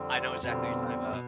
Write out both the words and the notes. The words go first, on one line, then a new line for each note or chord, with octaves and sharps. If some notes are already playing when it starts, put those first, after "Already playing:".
I know exactly what you're talking 'bout.
Already playing: F2 D3 G3 C4
F2 B2 D3 G3 C4
B2